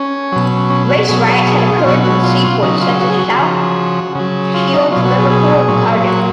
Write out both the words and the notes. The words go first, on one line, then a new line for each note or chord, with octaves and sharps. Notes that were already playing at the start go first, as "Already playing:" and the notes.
Race riots had occurred in seaports such as South Shields, Liverpool and Cardiff.
Already playing: C#4
B2 F#3
C#4
F#4
B2 F#3 G#4
G#4
G#4
F4
B2 F#3 F#4
F#4
F4
F4
C#3 F#3 D#4
F4
F#4
G#4
F#4
C#3 F3
C#3 F#3
F4
D#4
B2 F#3 F4
F#4
G#4
G#4
A#2 F#3
F#4